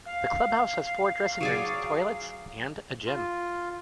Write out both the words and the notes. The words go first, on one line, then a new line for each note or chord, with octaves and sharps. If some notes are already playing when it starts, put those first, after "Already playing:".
The clubhouse has four dressing rooms, toilets and a gym.
F5
F#3 G#4 D5
F4